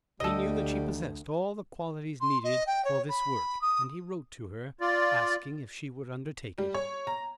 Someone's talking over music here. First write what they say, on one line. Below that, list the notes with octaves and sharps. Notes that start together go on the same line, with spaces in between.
He knew that she possessed all the qualities needed for this work, and he wrote to her, asking if she would undertake it.
D2 G3 A4 D#5
C6
D#5
G5
C#5
B5
D#6
F4 D5
G3
C#5
A#5